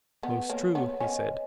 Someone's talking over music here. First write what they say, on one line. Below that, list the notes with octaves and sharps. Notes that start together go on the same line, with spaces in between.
Most true, he said.
B3 B4
A#3 C#5
B3 C#5
C#4 D#5